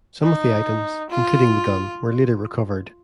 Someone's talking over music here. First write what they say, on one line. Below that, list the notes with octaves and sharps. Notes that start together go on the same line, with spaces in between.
Some of the items, including the gun, were later recovered.
D#4
F4